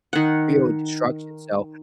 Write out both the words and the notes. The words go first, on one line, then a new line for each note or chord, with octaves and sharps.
real destruction. So
D#3 F#5